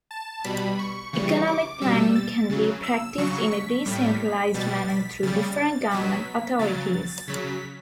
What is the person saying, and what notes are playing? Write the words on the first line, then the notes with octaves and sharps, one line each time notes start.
Economic planning can be practiced in a decentralized manner through different government authorities.
A5
B2 G3 B5
C#6
C#3 E3 G3 C#6
D6
B2 G3 E6
A6
C#3 F#3
E6
C#3 F#3 C#6
B6
A2 G3
B2 G3 A6
B6
C#3 G3 A6
B2 F#3 B6
C#3 F#3 A6
A6
C#3 F#3 B6